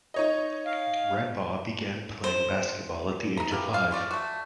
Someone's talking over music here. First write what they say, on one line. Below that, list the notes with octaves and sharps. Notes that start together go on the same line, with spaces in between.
Radebaugh began playing basketball at the age of five.
D#4 C#5 D#5
F5
C5
D#4 A#5
E3 A#3 G4
F4 F5
C#4 F4 D5
A3 F#4